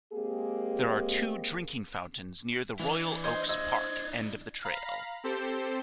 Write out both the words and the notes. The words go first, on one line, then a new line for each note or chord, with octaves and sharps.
There are two drinking fountains near the Royal Oaks Park end of the trail.
G#3 A#3 C4 G4 G#4
E3 D4 E4 F7
C5 D#5 G#6
C5 D#5 E6 G#6
F5 A#5 B5
C4 G4 A4 C5